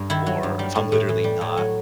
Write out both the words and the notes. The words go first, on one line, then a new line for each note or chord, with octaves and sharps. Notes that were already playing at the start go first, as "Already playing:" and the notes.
or if I'm literally not
Already playing: G2
D#3 E4
F#3
G2
G3
A2
A2
E3
G3
A2
F#3